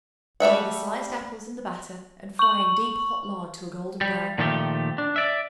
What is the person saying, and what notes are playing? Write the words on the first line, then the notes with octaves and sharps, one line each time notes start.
Lay the sliced apples in the batter and fry in deep hot lard to a golden brown.
G3 A3 E5 F#5
C#6 F#7
G3
A#2 D#3 F3 A3 G4
D4
D5 E5